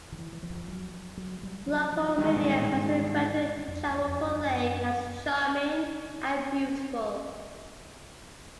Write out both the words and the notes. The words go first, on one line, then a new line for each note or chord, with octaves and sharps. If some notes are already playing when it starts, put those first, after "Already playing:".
Local media has referred to Chaiwopu Lake as "charming and beautiful".
D#3
E3
E3
F3
F#3
F#3
G3
F#3
F3
F3
G2 D#3 E3 G#3
A#2
A2
G#2
F2
E2
F2
F#2